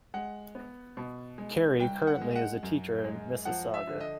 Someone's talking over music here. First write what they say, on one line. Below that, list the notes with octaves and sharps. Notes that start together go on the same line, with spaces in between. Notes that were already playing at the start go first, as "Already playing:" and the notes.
Carrie currently is a teacher in Mississauga.
G#3 F#5
B3
B2
G#3
C2 G5
F#5
G#3
F#5
F#2
G#3
F3 F#5
E5
D3
D#5